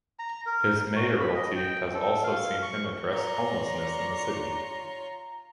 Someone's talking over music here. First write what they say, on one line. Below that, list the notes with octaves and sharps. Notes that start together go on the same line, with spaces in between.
His mayoralty has also seen him address homelessness in the city.
A#5
A#4
F#4
B5
D#5
G5
A4
F5
C#6
F4 C#5 D5 A#5